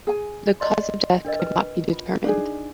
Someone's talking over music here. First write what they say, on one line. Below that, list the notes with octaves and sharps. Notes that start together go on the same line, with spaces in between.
The cause of death could not be determined.
G#4 G#5
D5 D#5 C6
D4 A#4 D#5
B4
F4
D4 D#4 G#4